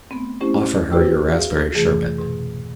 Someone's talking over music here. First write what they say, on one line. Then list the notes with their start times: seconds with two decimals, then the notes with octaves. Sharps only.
Offer her your raspberry sherbet.
0.11 A3 B3 C4
0.41 A3 C4 C#4 E4 G4 C5
0.91 F#4 G4 B4 C5 G5 E6
1.26 G#4 E5 F5
1.75 F2 C3 E3 A3 G#4
2.18 G#2 B2